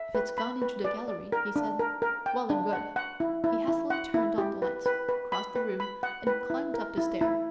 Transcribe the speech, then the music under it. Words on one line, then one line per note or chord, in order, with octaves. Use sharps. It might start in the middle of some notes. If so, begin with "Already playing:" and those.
"If it's gone into the gallery," he said, "well and good." He hastily turned on the lights, crossed the room, and climbed up the stair.
Already playing: E5
B4
B5
B4
D5
D5
A#4
D4
A#4
A#4
G5
D4
F#5
F#5
E4
E4
E4
F#5
E4
G4
B4
B4
B4
B5
B4
B5
F#5
B4
E4
A#4
E4
E4